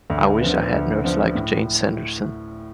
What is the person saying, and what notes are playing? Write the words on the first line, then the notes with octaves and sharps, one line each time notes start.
I wish I had nerves like Jane Sanderson.
D2
D3 F3 B3
D2
D3 F3 B3
A2